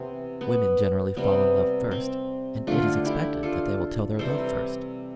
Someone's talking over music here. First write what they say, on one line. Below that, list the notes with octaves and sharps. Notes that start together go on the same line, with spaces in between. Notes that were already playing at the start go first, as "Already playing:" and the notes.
Women generally fall in love first, and it is expected that they will tell their love first.
Already playing: C3 E3 B3 C4
B3
C3 G3 B3
C4
D3 A3 D4 F4
E4 G4
F4 A4
C3 E3 G3 A4 C5